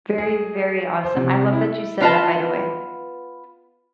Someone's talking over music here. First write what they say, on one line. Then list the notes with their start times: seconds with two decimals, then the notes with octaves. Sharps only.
Very, very awesome. I love that you said that, by the way.
0.18 G#4
1.04 C5
1.16 C3
1.52 E4
2.00 B3 D4 F4 B4 D#5 A5